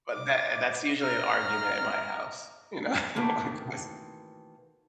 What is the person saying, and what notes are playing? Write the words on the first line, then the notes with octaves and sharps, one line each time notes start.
but tha uh, that's usually an argument at my house, you know, I guess.
D6
A#5 F6
B2 D#3 E3 A3 A#3 C4